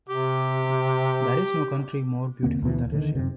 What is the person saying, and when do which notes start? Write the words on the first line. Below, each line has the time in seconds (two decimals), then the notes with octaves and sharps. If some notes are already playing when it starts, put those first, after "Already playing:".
There is no country more beautiful than Russia!
0.09 C3 G4
2.43 E2 D3 A#3 C4
2.62 D2 B2 E3
2.92 D3 D#3
3.15 F#2 C3